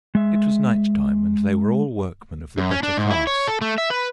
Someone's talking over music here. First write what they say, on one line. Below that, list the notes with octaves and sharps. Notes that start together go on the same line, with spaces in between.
It was night-time, and they were all workmen of the better class.
G#3 E5
F#2
C#4
D4
G#2
E4
C#5
A4
A3
E5
B4